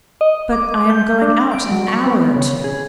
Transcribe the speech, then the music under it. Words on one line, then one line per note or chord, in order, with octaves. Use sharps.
But I am going out in an hour or two.'
D#5
D6
G6
D4
D7
F#3
C#6
B3
C#3
G#4